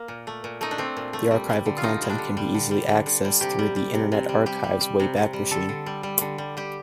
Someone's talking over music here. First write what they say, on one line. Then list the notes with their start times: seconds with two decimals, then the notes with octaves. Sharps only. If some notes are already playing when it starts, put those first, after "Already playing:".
The archival content can be easily accessed through the Internet Archive's Wayback Machine.
Already playing: A#3
0.08 A#2
0.27 A3
0.44 A#2
0.61 A3 D#4
0.71 D4
0.78 A3 C4
0.97 A#2
1.13 A3
1.31 G3
1.49 G3
1.66 D3
1.78 F4
1.83 D3 D#4
2.02 G3
2.10 D4
2.18 D3
2.37 G3
2.54 D3
2.71 G3
2.89 D3
3.06 D3
3.24 G3
3.41 C3 G4
3.59 G3
3.76 G3
3.94 C3
4.12 C3
4.29 G3
4.46 G3 G4
4.64 G3
4.81 G3
5.00 C3
5.17 C3
5.33 G3
5.51 D3 A4
5.69 D3
5.86 G3
6.03 G3
6.21 D3
6.38 G3
6.57 G3 G4